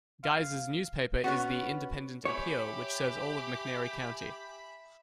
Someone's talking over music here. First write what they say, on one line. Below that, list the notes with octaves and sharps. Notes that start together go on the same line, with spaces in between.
Guys's newspaper is the "Independent Appeal", which serves all of McNairy County.
F5
B3 C#4 F#4 C#5
G4 C#5 E5 G#5 B5